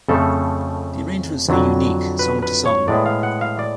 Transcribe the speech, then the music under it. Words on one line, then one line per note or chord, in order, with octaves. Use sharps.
The arrangements are unique, song to song.
F2 C#3 F3 A3 A4
F2 D3 F#3
B4
B4
C#5
A2 G#3 B3 D5
F5
F#5
F5
D5